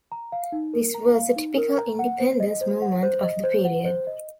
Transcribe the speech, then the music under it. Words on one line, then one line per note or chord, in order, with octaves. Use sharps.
This was a typical independence movement of the period.
A#5
F5
D#4
A#4
A#5
F5
D#4
A#4
A#5
F#5
C5
D#5
C5
F#5
C5
D#5
C5
F#5
C5
D#5